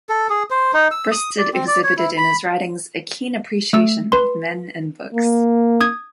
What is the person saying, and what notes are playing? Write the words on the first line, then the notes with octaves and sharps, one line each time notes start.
Bristed exhibited in his writings a keen appreciation of men and books.
A4
G#4
C5
D#4
E6
D#6
D5
C4
D5
C#5
E4
B5
A3 E6
B4 C6
A#3
D#6 G#6